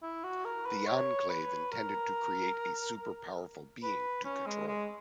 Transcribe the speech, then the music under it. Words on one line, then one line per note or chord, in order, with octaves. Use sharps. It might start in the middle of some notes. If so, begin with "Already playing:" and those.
The Enclave intended to create a super-powerful being to control.
E4
F#4
A#4
B4
C#5
B4
A#4
B4
C#4
G#3
G#3